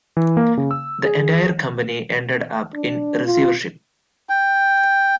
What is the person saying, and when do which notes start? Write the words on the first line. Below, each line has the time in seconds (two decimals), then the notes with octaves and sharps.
The entire company ended up in receivership.
0.17 E3
0.37 A#3
0.57 C#3
0.71 E6
1.05 G#4
2.74 D4
3.25 F4
4.29 G5